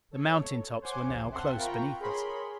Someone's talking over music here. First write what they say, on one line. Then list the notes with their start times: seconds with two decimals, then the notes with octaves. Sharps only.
The mountain tops were now close beneath us.
0.11 A4 C#5
0.81 C5 C#5 F#5 G#5 C6 D6
1.04 A1 D2 C#3
1.31 C4 E5 F#5 A5 C6
1.56 F4 A#4 G5 A#5 B5 C#6
1.99 G#4 A#4 C#5 B5 C6